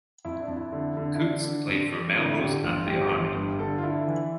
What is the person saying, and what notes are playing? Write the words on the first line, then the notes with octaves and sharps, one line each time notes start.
Coutts played for Melrose and the Army.
F2 E4
D4
F2
E4
D3
D3
E4
D3 D4
D3
F2
F2
D3 E4
A4
D3 G4
G1 F4
G1 G4
G1
G2
D3 A4
F4
D3 E4
E3